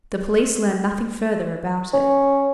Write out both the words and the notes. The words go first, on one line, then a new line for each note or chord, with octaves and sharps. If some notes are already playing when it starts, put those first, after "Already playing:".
The police learned nothing further about it.
C#4